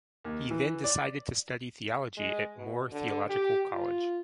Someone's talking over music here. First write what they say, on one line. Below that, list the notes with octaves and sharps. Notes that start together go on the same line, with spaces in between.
He then decided to study theology at Moore Theological College.
D#2
E3
D5
G#3
B2
D3
G4
F4